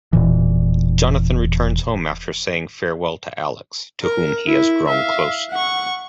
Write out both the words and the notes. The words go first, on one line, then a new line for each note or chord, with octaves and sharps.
Jonathan returns home after saying farewell to Alex, to whom he has grown close.
E1 A#2 E3
A#4
E4
E5 F5
F#5 C#6